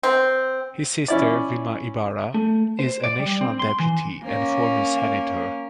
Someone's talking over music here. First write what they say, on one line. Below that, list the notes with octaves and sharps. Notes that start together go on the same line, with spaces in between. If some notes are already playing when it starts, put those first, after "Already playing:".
His sister, Vilma Ibarra, is a National Deputy and former Senator.
C4
C#4 E4 D5
A3
C5
D5
G3
C4
C6
E3
A#3 C#4